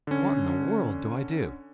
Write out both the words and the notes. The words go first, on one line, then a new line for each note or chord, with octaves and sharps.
What in the world do I do?
D3 C#4